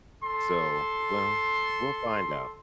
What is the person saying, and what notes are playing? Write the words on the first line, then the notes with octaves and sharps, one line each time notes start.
So, well, we'll find out.
A4 C6